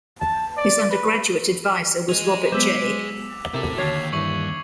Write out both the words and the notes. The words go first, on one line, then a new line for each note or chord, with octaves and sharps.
His undergraduate advisor was Robert J.
A5
D5
B4
G#4 D#5 F7
F#3 G#3 B3 C5 D6 E6 B6
C3 E4 A4 A#4
D#2 D3 C#5 A5 G#6 C7 F7
G2 E3 C#6 C#7 F#7